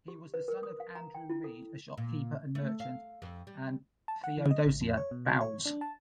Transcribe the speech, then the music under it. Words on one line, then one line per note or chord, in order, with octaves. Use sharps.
He was the son of Andrew Reed, a shopkeeper and merchant, and Theodosia Bowes.
G4
B4
A#4
D#6
F5
A#5
G5
E4
A4
A#2
A3
F5
F2
G3
A5
F#5
E3
D#5
A1
F2
C#5
B2
F#4
C#5
D4
A5